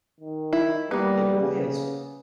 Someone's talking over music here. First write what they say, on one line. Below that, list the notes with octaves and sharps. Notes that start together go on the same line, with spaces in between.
It really is.
D#3
E4
G3 A#3 B3
C#3